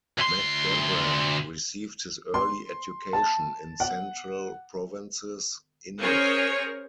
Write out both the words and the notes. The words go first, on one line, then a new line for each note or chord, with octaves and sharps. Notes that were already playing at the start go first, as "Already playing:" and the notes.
McGavran received his early education in Central Provinces, India.
D2 C6
C6
A5
F#5
C#4 G#4 A#4 C5 C#5